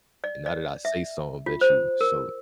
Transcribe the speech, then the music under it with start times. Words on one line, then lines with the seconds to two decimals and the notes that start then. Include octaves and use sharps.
and now that I say something that you so
0.24 D5
0.46 D5
0.85 E5
1.46 F4
1.61 C5
2.01 A#4